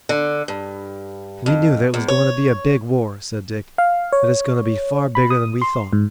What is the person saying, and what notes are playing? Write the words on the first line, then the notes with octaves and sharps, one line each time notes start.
"We knew that it was going to be a big war," said Dick, "but it's going to be far bigger than we thought."
D3
G2
F2
E2
C#5
F5
C#5
B5
D#6
C6
G#2